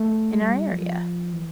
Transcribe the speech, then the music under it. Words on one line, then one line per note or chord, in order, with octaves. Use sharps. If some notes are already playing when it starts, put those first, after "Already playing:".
in our area?
Already playing: A3
G3
F3
E3